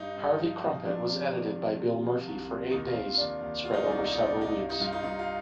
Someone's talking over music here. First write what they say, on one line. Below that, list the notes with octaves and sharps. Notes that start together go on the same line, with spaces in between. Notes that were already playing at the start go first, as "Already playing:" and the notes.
"Harvie Krumpet" was edited by Bill Murphy for eight days spread over several weeks.
Already playing: G2 D#4
G2
F3
F3
F2 D4
C3
D#3
D#3
C3
F3
C2
C3
D#2 D#4
F4
D#2
D#2 D4
D#2
B2 F4
D#4
D4
C2 D#4
B2 D#4
D4
C2
D#4
G2
D#4
G2 F4
D#4
G2 D#4
F4